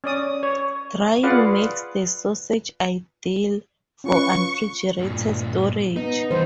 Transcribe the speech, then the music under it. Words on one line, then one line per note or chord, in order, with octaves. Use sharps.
Drying makes the sausage ideal for unrefrigerated storage.
C#4 D5 D#6
C#5
F4 G#4 B4 D5 F5 F#5
C#4 F4 B4 C#6
G2 A#2
B3 D#4
E3 G3 D#4 C5